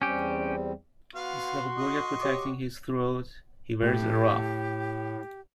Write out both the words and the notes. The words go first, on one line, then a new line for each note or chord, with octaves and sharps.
Instead of a gorget protecting his throat he wears a ruff.
E2 G3 C4 C#4 G4
B3 F#4 F5 C6
D#5 C#6
G4 C#5 D6
A2 G4